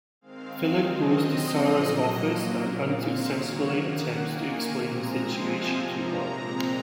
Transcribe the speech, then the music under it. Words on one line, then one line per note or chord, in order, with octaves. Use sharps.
Philip goes to Sara's office and unsuccessfully attempts to explain the situation to her.
D#3 G#3 C4 F5
D#3 F#3 C4 D#5
A#2 F3 G#3 C4
A#2 F#3 A#3
A#2 F#3 A#3
A#2 G#3 C4 F5
D#3 F#3 A#3 C#5
D#3 A#3 F#5
D#3 A#3 G#5
A#2 F3 G#3 C4 A#5
C3 F3 G#3 C4 G#5
C3 F3 A#3 A#5
A#2 G#3 C4